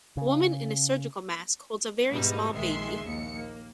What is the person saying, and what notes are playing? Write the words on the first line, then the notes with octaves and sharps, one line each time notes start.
A woman in a surgical mask holds a very small baby.
C#3
G#2 B2 G3 D#4 E4
A#1 D#3 G#3 E5 C6
A#1 D#2 C#7
A#3